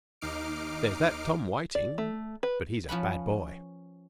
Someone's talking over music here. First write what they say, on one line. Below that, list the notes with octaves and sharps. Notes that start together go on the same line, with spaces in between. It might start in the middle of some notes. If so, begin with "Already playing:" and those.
There's that Tom Whiting, but he's a bad boy.
D#2 D#4 D6 F6 C7 D7
D5
A3
B4
F3 C#4 B4 B5